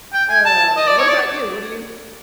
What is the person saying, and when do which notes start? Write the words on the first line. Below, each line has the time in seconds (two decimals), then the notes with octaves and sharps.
Uh, what about you? What do you
0.13 G5
0.29 G#5
0.45 A5
0.77 D#5
0.87 D5
0.98 C#5
1.08 D5